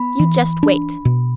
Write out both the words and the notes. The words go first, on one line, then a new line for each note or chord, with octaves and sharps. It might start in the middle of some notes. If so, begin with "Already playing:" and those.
"You just wait!"
Already playing: B3 B5
E3
D4
B2